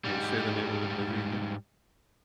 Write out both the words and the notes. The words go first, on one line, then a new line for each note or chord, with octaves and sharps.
And say the name of the movie again.
G#2 G3